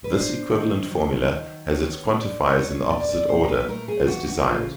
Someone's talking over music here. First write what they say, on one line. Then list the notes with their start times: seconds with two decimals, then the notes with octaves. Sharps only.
This equivalent formula has its quantifiers in the opposite order, as desired.
0.04 B4
0.11 D4 C5
0.51 D#3
0.90 F#3
1.31 D#3
1.70 B3 C#5
2.10 D3 D5
2.49 D4 C#5
2.70 C#5
2.89 A#2 D5
3.09 D5
3.28 A#2 C5
3.43 A#4
3.49 B4
3.68 A3 A#4
3.88 G#4
4.00 F4
4.08 E3 F#4
4.28 F#4
4.47 C#3 F4